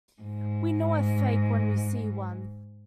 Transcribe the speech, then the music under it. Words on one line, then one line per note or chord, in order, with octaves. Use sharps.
We know a fake when we see one.
G#2